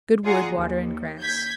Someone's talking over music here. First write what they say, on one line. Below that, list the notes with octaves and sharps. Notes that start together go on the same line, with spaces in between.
Good wood, water, and grass.
F4 G#4 D5 F#5 A#5 C6
D#2
G6 G#6 B6